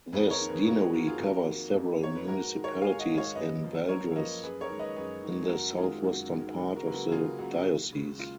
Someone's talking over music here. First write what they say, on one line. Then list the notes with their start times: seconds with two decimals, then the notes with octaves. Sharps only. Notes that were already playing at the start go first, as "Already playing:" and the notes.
This deanery covers several municipalities in Valdres in the southwestern part of the diocese.
0.12 F2 G#4 B4
0.30 A#4 C#5
0.40 D#3 A#3
0.49 G#4 B4
0.67 F2 F#4 A#4
0.80 G#4 B4
0.93 D#3 A#3 F#4 A#4
1.07 F4 G#4
1.20 F2 F#4 A#4
1.48 D#3 A#3
1.75 F2
2.01 D#3 A#3 C#5
2.16 B4
2.28 G#2 F#4 A#4
2.55 D#3 G#3
2.63 A#4 C#5
2.82 G#2 F5 G#5
2.99 D#5 F#5
3.09 D#3 G#3
3.18 C#5 F5
3.35 F#2 B4 D#5
3.63 F3 A#3
3.89 F#2 A#4 C#5
4.16 F3 A#3 B4 D#5
4.43 F#2 G#4 B4
4.61 A#4 C#5
4.70 D#3 G#3
4.79 B4 D#5
4.96 F#2 G#4 B4
5.24 D#3 G#3
5.50 F#2 F#4 A#4
5.77 D#3 G#3 F4 G#4
6.04 F#2 F#4
6.31 D#3 G#3
6.58 C#2 F#4
6.76 F#4 A#4
6.85 C#3 F#3 A#3 B4
6.94 F#4 A#4
7.12 C#2 F4 G#4
7.39 C#3 F#3 A#3 F#4
7.66 D#2
7.92 C#3 G#3
8.19 F4